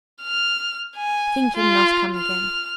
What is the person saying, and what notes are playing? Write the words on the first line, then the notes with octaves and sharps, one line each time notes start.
Think him not come again.
F6
G#5
F4
F6